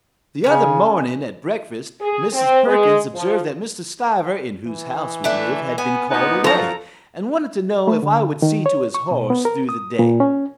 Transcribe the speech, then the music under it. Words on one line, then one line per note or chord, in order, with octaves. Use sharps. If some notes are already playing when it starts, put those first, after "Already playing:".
The other morning at breakfast Mrs. Perkins observed that Mr. Stiver, in whose house we live, had been called away, and wanted to know if I would see to his horse through the day.
C#3 C#4 G#5
G#4
C4
G#3
F3
E3
A3 D4 E5
B3 G#5
A#2 B3 D#4
F3 F#3 A4 A#5
A3
D3
D#3
C#5
C#6
B2
B3
A#4
D#6
A#2
C#4